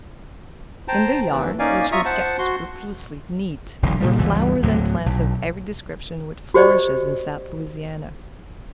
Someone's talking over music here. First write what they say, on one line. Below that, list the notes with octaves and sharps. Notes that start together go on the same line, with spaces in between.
In the yard, which was kept scrupulously neat, were flowers and plants of every description which flourishes in South Louisiana.
C5 G5 A5 A#5
D#2 E3
A#3 C#4 D#4 D5 F5 G#5
F4 E5 A#5 C#6 D#6
C5 F#5 A5
F#4 C6
E1 B1 D3
A#2 C#3 G3
G1 C#2 E3 G3
D2 A2 D3 F#3
B1
F#4 G4 C5 D5 D#5